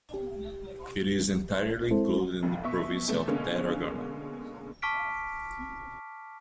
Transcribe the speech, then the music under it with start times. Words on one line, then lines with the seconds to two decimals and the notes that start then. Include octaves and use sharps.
It is entirely included in the province of Tarragona.
0.14 G4
1.90 G#3 C4 E4 A4 C5
2.43 G#1 F2
2.64 B2 E5 C#6
3.08 C3 A3 B3
3.28 B2 D3 G#3 A#3 C#4
4.82 A5 C#6 D6 F6 B6 D7